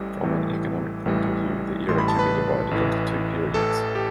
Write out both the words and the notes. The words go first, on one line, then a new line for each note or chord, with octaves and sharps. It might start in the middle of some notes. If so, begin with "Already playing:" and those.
From an economic point of view, the era can be divided into two periods.
Already playing: A1 A2 E3 G3
A1 A2 E3 G3
A1 A2 E3 G3
A1 A2 E3 G3 C6
B5
A5
B4 B5
A1 A2 E3
A1 A2 E3 A4 A5
G4